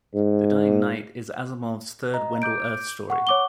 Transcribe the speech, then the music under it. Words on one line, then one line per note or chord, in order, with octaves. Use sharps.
"The Dying Night" is Asimov's third Wendell Urth story.
G#2
D#5 A#5
D6 G6 D7
F#5 C#6
C#5 D6 G7